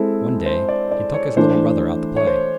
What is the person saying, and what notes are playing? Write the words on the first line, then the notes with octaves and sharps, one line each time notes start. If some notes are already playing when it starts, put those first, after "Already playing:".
One day, he took his little brother out to play.
Already playing: G#3 C4 E4 A4
C5
D5
D5
C#5
E3 A3 D4 C5
C#5
C5